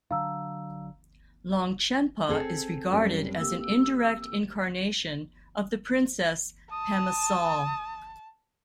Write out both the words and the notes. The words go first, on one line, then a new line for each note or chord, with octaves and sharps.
Longchenpa is regarded as an indirect incarnation of the princess Pema Sal.
D3 F#3 D4 F5 A#5 E6
C4 G#4 A4
F#2 G3
A#3 G4 E6
A5 D#6